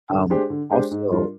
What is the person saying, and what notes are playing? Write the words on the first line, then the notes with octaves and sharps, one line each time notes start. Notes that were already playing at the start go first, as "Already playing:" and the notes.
um, also
D3
G#3 D4 G4 C5
D3
G#3 D4 G4 C5
G#2
G3 D4 F4 A#4